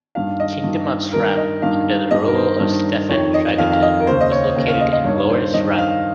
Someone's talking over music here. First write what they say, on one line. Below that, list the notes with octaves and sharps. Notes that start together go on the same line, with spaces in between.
Kingdom of Srem under the rule of Stefan Dragutin was located in Lower Srem.
G2 D#3 F5
D#5
G2 D#3
G2 D#3 A#4
D#5
G2 D#3 F5
G2 D#3 D#5
A#4
C5
G2 D#3
F2 D#3 C#5
D#5
F2 D#3 F5
F5
D#5
A#4
D#2 C#3 C5
D#5
C#5
D#2 C#3
F5
D#5
D#5
G2 D#3 C#5
C5
G2 D#3 D#5
F5